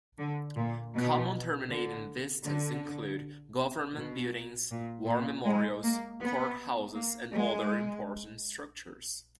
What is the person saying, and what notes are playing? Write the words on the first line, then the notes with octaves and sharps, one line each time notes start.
Common terminating vistas include government buildings, war memorials, courthouses and other important structures.
D3
A#2
B2
D3
D3
B2
A#2
A#2
G#3
A#3
B3
A#3
G#3